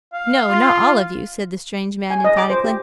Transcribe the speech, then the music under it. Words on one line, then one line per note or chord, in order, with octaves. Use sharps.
'No, not all of you,' said the strange man emphatically.
F5
F4
G#5
D#5
D6
C5
G4